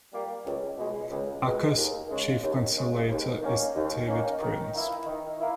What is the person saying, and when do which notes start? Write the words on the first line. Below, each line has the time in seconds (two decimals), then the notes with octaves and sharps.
Acas' chief conciliator is David Prince.
0.12 G3 A#3
0.46 C#2
0.78 B2 G#3
1.11 C#2
1.44 B2 G#3
1.77 D#2
2.10 C#3 G#3
2.43 D#2
2.76 C#3 G#3
3.09 D#2
3.42 D#3 A#3 C#4
3.75 D#2
4.08 D#3 A#3 C#4
4.42 D#3
4.74 A#3 E4
5.07 D#3
5.40 A#3 E4